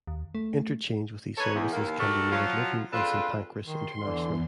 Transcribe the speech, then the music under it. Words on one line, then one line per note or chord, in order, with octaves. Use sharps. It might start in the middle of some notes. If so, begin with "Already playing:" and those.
Interchange with these services can be made at Luton and Saint Pancras International.
D#2
A3
D#4 A4 B4 C#5
E2
D#2 A#3
A3 D4 F#4 G4 A4 A#4
F3 F#3 F4
C4 D4 F4 G#4 A4 B4
D#3 C6
E2 D3 E3